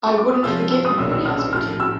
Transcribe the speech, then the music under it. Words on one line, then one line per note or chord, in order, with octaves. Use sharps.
I wouldn’t forgive him when he asked me to.
C#6
D6
D#6
C3 F3 G#3 C#4 F4 E6
E6
D#6
B1 A#2 F#3 B3 D4 E6
E6
F6
E6
A#1 A2 F3 F6
E6